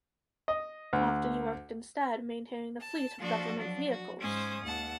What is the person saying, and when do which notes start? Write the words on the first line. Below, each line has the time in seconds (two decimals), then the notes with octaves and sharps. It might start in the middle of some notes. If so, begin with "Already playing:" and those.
Often he worked instead maintaining the fleet of government vehicles.
0.48 D#5
0.93 D2
2.80 A5
3.19 F3 A#3 D4 F#4 A4
3.55 F3 F#3 D4
3.90 F#4
4.21 G#2 G#3 C#4 C5 D#6
4.62 D#2 F#5 A5